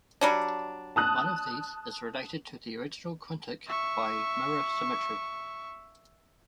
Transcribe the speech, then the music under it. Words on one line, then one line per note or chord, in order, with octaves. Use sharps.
One of these is related to the original quintic by mirror symmetry.
F#3 G3 D4
A5 D#6 F#6
E5 C#6